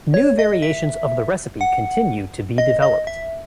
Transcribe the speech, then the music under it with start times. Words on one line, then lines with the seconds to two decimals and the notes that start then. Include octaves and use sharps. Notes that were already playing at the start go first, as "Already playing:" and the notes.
New variations of the recipe continue to be developed.
0.14 C#5
0.39 D#5
0.62 E5
1.61 F#5
2.58 D#5
2.82 D#5
3.07 E5